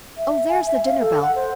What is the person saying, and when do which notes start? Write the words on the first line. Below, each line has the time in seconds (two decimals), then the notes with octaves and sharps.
Oh, there's the dinner-bell.
0.18 E5
0.49 G#5
0.66 E5
0.86 F5
1.01 A4
1.22 F#5
1.36 C5